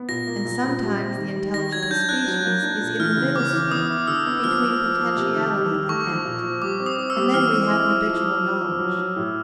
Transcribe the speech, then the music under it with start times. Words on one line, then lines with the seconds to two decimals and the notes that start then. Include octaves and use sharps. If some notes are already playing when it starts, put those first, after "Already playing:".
And sometimes the intelligible species is in a middle state, between potentiality and act: and then we have habitual knowledge.
Already playing: B3
0.09 A#2 A#6
0.27 A#3
0.45 A#2
0.64 A#2
0.82 G3
1.00 C3
1.18 D#3
1.36 G3
1.54 D#3 A#6
1.72 F#3 G#6
1.83 G#6
1.90 D4 G6
2.08 D4 F#6
2.27 F#3
2.45 A#3
2.63 D4
2.80 A#2
2.99 E3 F6
3.17 C#3
3.35 C#3 D6
3.53 E3
3.71 B3 D#6
3.90 E4
4.07 D3 E6
4.27 B3
4.44 F3 F6
4.63 F3
4.81 F3
4.99 F3
5.16 C3
5.35 D#3
5.53 G3
5.71 D#3
5.89 A3 C#6
6.07 F3
6.25 A#2
6.44 F3
6.62 G3 D6
6.80 C4
6.86 D#6
6.98 C4
7.10 E6
7.16 G3
7.34 E3 F6
7.52 C4
7.70 E4
7.88 E4
8.06 F3
8.25 F3
8.43 F3
8.62 F3
8.79 F#3
8.97 F#3
9.16 A2